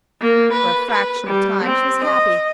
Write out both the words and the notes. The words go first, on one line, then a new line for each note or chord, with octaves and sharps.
For a fraction of time she was happy.
A#3
B4
B4
G3
C4
D#5